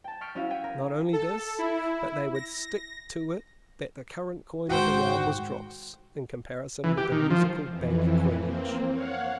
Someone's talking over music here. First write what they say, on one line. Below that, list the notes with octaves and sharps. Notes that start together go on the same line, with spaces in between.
Not only this, but they would stick to it that the current coin of the realm was dross in comparison with the Musical Bank coinage.
G5 A5
C#6 F6 G6 B6 C7 D7
C#4 E4 F#4 C#5 F5
G5 G#6 B6 D#7
A#4
A4
E4
A#6
G#1 G#2 F#4 C5 G5
E3
G4
D#3
F3
F2 E3
A#3 C4
C#5 F5 F#5